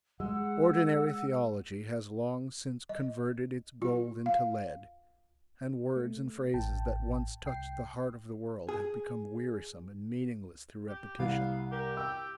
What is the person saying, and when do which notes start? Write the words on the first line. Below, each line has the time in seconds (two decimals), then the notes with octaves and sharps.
Ordinary theology has long since converted its gold into lead, and words and phrases that once touched the heart of the world have become wearisome and meaningless through repetition.
0.20 G#3 F#5 E6
2.89 D#5
3.82 F4
4.26 F5
5.96 A3
6.54 A1 G5 A5
7.45 C2 G5 C7
8.69 G#4
10.89 G4
11.19 C2 B3 F5
11.72 G4 A#4
11.97 G5 E6